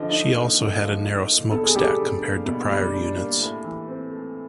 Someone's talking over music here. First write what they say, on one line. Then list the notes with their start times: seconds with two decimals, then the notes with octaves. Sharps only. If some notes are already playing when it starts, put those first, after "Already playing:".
She also had a narrow smokestack compared to prior units.
Already playing: D3 F3 D#5
0.10 D#4
0.34 A#3
0.57 D3
0.80 F3
1.04 D#4
1.28 A#3
1.51 B2 A4
1.63 G#4
1.75 G3 G4 A4
1.99 D4
2.23 A#3
2.46 B2
2.70 G3
2.93 D4
3.17 A#3
3.40 A2
3.64 E3
3.88 C4
4.11 A3